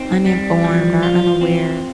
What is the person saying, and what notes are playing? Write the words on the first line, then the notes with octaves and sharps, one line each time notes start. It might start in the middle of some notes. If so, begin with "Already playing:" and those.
uninformed or unaware
Already playing: C4 D#4
G3
F3
F4
C4